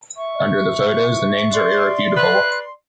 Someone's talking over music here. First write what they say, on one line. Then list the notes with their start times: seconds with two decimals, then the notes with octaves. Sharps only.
Under the photos, the names are irrefutable.
0.17 E5 C#6
1.53 D5 C6
2.17 B4 F#6